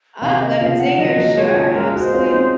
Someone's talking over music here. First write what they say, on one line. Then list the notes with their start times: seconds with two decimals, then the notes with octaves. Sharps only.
Ah, lemon zinger, sure, absolutely.
0.22 C3 D#3 F5
0.42 D#5
0.60 C#3 F3 F5
0.79 F#5
0.98 D#3 F#3 D#5
1.17 F#3 A#3
1.36 F3 G#3 C#5
1.55 C#3 F3
1.74 F3 G#3 A#4
1.94 D#4 F#4
2.00 C5
2.13 C#4 F4
2.25 C5
2.31 C4 D#4